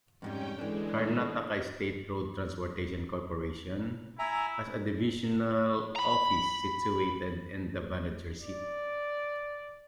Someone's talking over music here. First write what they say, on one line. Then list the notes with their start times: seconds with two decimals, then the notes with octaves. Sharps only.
Karnataka State Road Transport Corporation, has a divisional office situated in Davanagere City.
0.22 F2 G#2 G3 C#4 G5
0.58 D3 E3 G#3 D4
4.19 E4 E5 G#5 A#5
5.96 A#5 B5
8.41 D5